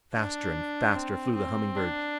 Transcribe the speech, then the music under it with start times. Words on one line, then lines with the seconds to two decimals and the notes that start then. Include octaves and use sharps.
Faster and faster flew the Humming-Bird.
0.14 D4
0.95 C4
1.35 C4
1.76 D4